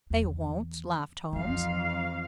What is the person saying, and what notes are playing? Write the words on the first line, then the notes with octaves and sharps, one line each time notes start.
"They won't," laughed Holmes.
E2
F2 E3 D#4 F5